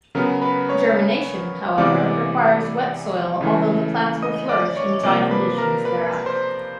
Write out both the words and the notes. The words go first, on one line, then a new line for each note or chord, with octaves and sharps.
Germination, however, requires wet soil although the plants will flourish in dry conditions thereafter.
C#3 F#3 B3 A#4 A#5
B4 B5
C#5 C#6
C3 E3 G#3 B3 D5 D6
C#3 E3 A3
D#5 D#6
D5 D6
C#5 C#6
C3 F3 A#3 D5 D6
B4 B5
A#4 A#5
B4 B5
C5 C6